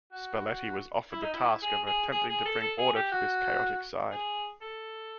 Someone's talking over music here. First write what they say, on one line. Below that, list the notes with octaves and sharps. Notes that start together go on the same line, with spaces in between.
Spalletti was offered the task of attempting to bring order to this chaotic side.
F#4
E4
D#4
E4
G#4
G#4
G#4
G#4
A4
A4
G#4
G4
F#4
G#4
A4